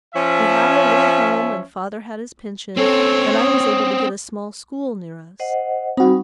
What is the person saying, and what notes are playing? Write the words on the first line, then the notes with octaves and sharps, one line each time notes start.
We had our little home and father had his pension, and I was able to get a small school near us.
F3 C#4 E5
C4 C#4 A4 C#5
D#6
C5 D#5 F#5
G3 C4 D#4 F#4 B5